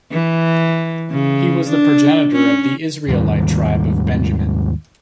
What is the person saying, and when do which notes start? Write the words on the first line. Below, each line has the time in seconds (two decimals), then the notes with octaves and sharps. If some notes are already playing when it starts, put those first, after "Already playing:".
He was the progenitor of the Israelite Tribe of Benjamin.
0.12 E3
1.10 C#3
1.69 D4
2.32 C#4
3.08 D#2 G#2 D#3 G3